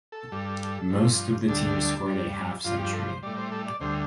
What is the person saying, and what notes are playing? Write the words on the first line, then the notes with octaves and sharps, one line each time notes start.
Most of the team scored a half century.
A4
G2 G3
G2 F3
D2 D3 G3 D4
G2 G3
G2 F3 F4
G4
A4
C5
A2 G3 D5
C5
A4
D5
D2 D3 G3 C5